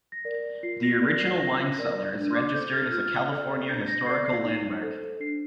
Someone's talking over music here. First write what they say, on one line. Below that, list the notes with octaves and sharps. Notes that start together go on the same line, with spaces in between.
The original wine cellar is registered as a California Historical Landmark.
A#6
A#4 D5
F4 C7
A#6
A#4 D5
A#6
C7
F4 A#6
A#4 D5
D4
C6
D6
A4 C5 G6
F6
F4 F6
A4 D5
D4 G6
A#6
A4 D5 C7
C7
D#4
A4 C5
D4 C7